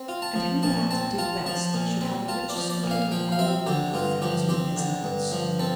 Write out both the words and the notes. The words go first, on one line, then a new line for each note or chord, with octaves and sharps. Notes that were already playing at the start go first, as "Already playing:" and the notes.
And who that did best should have a rich circlet of gold worth a thousand besants.
Already playing: C4
F4
A5
F3
A#2 A5
C4 A5
F4 A5
F3 A5
A#2
C4
F4 A5
D5
F3
D5
A#2
F5
F3 G5
F5
C4 E5
D3 G4
G2 F4
F3 G4
C4 G4
D3
G2
F3
C4 A4